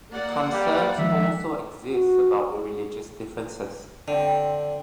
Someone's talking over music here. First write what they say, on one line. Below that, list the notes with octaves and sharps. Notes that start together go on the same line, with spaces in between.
Concerns also exist about religious differences.
A#3 D5 F#5
G3 F5
D#3 F3 G#3 E5
F#4
G#4
D3 C4 G5